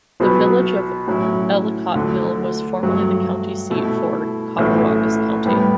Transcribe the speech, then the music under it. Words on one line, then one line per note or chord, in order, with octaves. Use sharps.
The Village of Ellicottville was formerly the county seat for Cattaraugus County.
B1 B2 F#3 B3
A2 F#3 C#4 E4
D2 D3 F#3
G2 F#3 A3
B2 A3 E4
B1 A2 E3 A3 C#4
A2 G3 B3